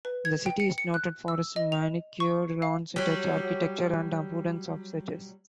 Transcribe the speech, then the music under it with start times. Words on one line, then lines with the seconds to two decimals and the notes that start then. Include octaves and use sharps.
The city is noted for its manicured lawns, Dutch architecture, and abundance of churches.
0.05 B4
0.25 G#6
0.46 G5
0.60 C#7
0.78 C#7
0.94 F#6
1.28 E6
1.56 D#5
1.72 F7
2.20 C#6
2.62 F5
2.96 F#3 G3